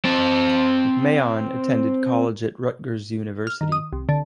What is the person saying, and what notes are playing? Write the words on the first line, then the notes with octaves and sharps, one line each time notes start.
McMahon attended college at Rutgers University.
C4 A5
F6
D#3
D#6
C2
D3